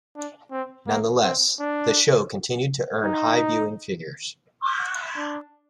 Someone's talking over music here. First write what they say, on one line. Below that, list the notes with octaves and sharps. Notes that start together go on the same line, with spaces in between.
Nonetheless, the show continued to earn high viewing figures.
D4
C4
A#3
C4
D4
D#4
D4